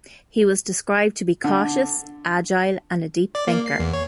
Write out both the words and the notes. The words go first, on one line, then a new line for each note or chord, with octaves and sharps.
He was described to be cautious, agile, and a deep thinker.
D3
D5
A#3
C7
E2
C#5